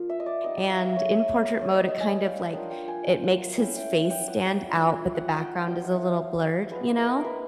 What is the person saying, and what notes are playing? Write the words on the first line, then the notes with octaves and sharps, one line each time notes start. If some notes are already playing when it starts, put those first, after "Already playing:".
and in portrait mode, it kind of, like, it makes his face stand out, but the background is a little blurred, you know?
Already playing: F3 A#3 D4 F4
E5
D#5
D5
G3 B3 D#4 D#5
E5
F5
E5
C#5
G#3 B3 D#4 C5
C#5
D#5
D#5
G#5
G5
F5
F#5
A#3 D4 F4 G5
G5
G#5
G5
F#5
A3 C#4 E4 G5
G5
G5
F#5
G5
F#5
G5
A3 D4 F4
F#5
F#5 G5
F#3 B3 E4 G5
F#5
F#5
F5
G#3 B3 E4 B4
A#4
A#4 B4